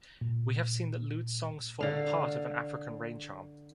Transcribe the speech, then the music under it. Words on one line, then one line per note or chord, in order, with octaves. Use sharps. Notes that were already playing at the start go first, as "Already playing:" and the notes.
We have seen that lewd songs form part of an African rain charm.
A#2
D3 F5